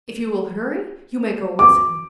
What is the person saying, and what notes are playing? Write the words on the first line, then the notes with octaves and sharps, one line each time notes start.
If you will hurry, you may go with him!
D6